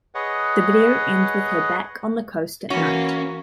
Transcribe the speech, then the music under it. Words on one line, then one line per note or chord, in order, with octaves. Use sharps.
The video ends with her back on the coast at night.
G#4 B4 C#5 D#5 F#5
E3 A#3 C#4 F#4